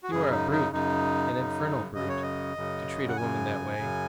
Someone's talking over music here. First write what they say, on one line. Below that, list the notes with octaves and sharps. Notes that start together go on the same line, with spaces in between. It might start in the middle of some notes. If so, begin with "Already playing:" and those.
"You are a brute, an infernal brute, to treat a woman that way."
F#4
F#2 C#3 G#4
D#4
D#4
F#2 C#3 D#4
F#2 C#3
F#2 C#3 D#5
C#5
D#5
F#2 C#3
F#5
F#2 G#5
C#3
F#2 C#3